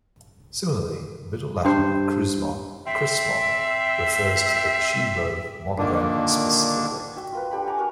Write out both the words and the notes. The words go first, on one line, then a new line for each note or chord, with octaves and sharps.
Similarly, Middle Latin "crismon", "chrismon" refers to the Chi Rho monogram specifically.
G2 C5
C4 E5
A#2 D3 D#3 A#3 D4
F#4 E5 G5
F4 A#4 B4
D4 G4 A4 B5
F#5 G#5 A#5 D6
F#4 A#4 C#6